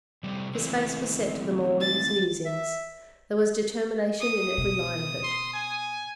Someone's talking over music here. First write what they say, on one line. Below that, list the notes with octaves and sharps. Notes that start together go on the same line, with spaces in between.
His face was set to the mould of his musing; there was determination in every line of it.
C3 G3 A3
E3 A3 C4
A6
E5
D#6
B2
C6
G#5